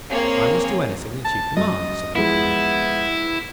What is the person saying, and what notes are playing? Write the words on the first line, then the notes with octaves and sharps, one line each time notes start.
'I must do anything that you command,' said the Little Man.
A#3 C4 G#4 C#5
A5
F#2 D#5
E3 F3 G#3 B3 E4